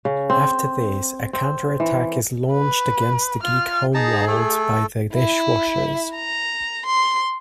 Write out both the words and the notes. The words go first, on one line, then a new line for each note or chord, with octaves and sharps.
After this, a counterattack is launched against the Geek homeworld by the Dishwashers.
C#3
C4
C4
E3
B4
F4 F6
D#4 G#4 A5 A#5
A3 A4
E4
A#5
C6